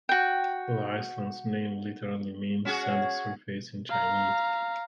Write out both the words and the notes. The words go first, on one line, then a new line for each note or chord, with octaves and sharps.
The island's name literally means "sandy surface" in Chinese.
F#4 G5
C#4 F#4 G#4
F5 A#5